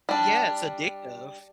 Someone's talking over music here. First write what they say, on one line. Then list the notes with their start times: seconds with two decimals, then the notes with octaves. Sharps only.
Yeah, it's addictive.
0.09 G3 D4